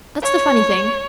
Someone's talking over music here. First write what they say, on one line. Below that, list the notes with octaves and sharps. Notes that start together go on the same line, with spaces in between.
That's the funny thing.
C#5